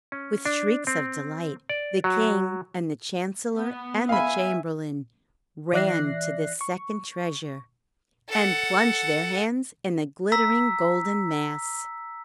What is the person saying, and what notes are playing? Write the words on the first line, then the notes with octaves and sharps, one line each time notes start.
With shrieks of delight, the King and the Chancellor and the Chamberlain ran to this second treasure, and plunged their hands in the glittering golden mass.
C#4
D4
C4
D5
F#3
B3
E5 F5 G#5 B5
E3 D5 E5 F#6 A#6 C7
C#6
A4 F#5
A#5 E6 B6